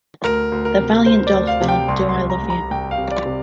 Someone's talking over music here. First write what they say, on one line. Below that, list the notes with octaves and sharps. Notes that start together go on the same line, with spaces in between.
The Valiant Doll film Do I Love You?
D2 A#4
D2
A#4
C3
D2 C5
D5
D2
F5
C3
G5
C2 C6
C6
C2
A#5
C2
A#5
C2 G5
F5
C3
D5
C3